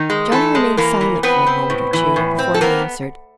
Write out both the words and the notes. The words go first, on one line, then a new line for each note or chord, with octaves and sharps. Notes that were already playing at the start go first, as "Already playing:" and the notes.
Johnny remained silent for a moment or two before he answered.
Already playing: D#3 D#4
G#3
E3 A3 A4
G#3
E3 A#3 A#4
E3
B3 C4 B4
C4
A2
E3
A2
C4
A4
A#3 B3 A#4